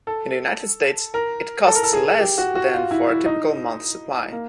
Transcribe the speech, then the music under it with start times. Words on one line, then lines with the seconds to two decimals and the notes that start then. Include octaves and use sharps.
In the United States, it costs less than for a typical month supply.
0.07 A4
1.14 A#4
1.67 A4
1.75 A#4
1.83 A4
1.93 G#4
2.19 G4
2.38 F#4
2.55 F#4
2.73 F4
2.91 E4
3.09 E4
3.26 D#4
4.32 A#3